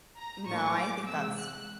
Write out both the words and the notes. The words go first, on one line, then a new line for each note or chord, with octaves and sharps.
No, I think that's
A#5
A2 F#3 A#3 D4 C#6
D6
C3 E3 G#3 E6
F#6